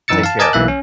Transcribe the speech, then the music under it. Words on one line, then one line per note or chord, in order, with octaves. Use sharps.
Take care.
F#2 E3 D#4 E6 A6 C#7
F5 A5
A#4 D#5 G#5 A5 D6
B1 E3 A#3 E5 F#6
C#4